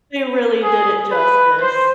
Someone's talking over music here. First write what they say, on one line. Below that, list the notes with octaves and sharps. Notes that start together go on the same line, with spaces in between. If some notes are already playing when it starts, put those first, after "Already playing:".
They really did it justice.
G#4
B4
C5